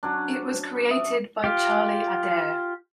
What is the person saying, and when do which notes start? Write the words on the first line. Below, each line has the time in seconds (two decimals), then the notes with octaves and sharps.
It was created by Charlie Adair.
0.03 F#3 C#4 D4
0.91 E5 D#6
1.44 F4 G4